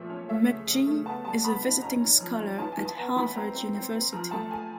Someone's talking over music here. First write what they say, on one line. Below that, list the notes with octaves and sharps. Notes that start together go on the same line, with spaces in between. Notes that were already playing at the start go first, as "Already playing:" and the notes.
McGee is a visiting scholar at Harvard University.
Already playing: A#2 F3 A3 E5
C#4
A3 E5
C#3
C#3
A3
B3 A5
G3 A5
B3 B5
D#4
C#4 A#5
C#4
F3
C#4
E3 A5
G#5
E3
A5
B3 A#5
E3 B5
C4 A#5
C4
C4
C4
F3 A#5
A3 A5
A3 G#5